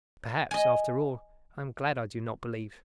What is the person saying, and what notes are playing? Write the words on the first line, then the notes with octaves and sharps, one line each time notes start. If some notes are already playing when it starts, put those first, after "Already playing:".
Perhaps, after all, I am glad I do not believe.
D#5 G#5